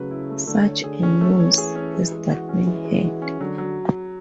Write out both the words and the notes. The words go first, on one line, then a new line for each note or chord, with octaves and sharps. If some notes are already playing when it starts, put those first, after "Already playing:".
Such a nose as that man had!
Already playing: C#3 F#3 A3 B4
E4
A3
D3 A3
C#5
D3 G#4
C#4
E3 A3
C#5
G#4
C#4
G#3
G#3
F#4
C#4
E3 G#3
G#3
F#4
C#4
D3 F#3
F#3